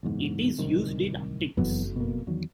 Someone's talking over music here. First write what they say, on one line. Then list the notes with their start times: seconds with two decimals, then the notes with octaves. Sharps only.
It is used in optics.
0.03 F#1 E2 G#2
0.58 D1 C2 D#3
1.57 F#1 F2 E3 F#3 B3
1.96 B2 A#3
2.27 E2 D#3 F#3